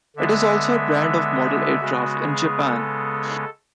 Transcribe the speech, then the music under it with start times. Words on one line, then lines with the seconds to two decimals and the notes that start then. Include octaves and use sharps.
It is also a brand of model aircraft in Japan.
0.16 D3 G#3 B3 E5
1.81 C#3 G#3 B3 F#4
2.22 G#4
2.64 A4